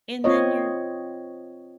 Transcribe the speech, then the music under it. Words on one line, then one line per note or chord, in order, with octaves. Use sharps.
And then you're
C4 F4 C#5 D#5